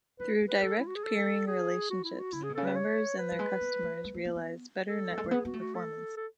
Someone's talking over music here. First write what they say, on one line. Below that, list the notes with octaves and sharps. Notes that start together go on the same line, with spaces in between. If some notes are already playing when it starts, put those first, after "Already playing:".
Through direct peering relationships, members and their customers realize better network performance.
E3 B4
A3
B4
G#3 A4
E4
F#4
G#4
A4
G#4
F#4
E4
F#4
D3 E4
C#3 G#4
B2
C#3 A4
B4
C#5
B4
F#3
G#3
B3
A3
G#3
A3
B3
B3
A4
F#3
G#3
A3
B3 G#4
B3 F#4
A3
F#4
A4
A4